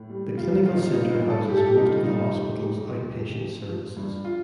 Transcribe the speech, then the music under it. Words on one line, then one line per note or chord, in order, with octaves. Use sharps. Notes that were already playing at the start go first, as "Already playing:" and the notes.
The Clinical Center houses most of the hospital's outpatient services.
Already playing: A2
G3
G3 F4
A2 F4
D#4
F4
G2 D#4
F4
G2
A4
F3 G4
A4
G4
G2 D#4
F4
G3 D#4
F2
G3
F2
F3
F3
F3
G2
F4